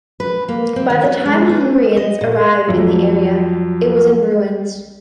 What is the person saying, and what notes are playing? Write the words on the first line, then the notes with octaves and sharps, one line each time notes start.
By the time Hungarians arrived in the area, it was in ruins.
B4
A#3
C4
D#3
B3
G#3
B3
D#5
A#2
F2 F#3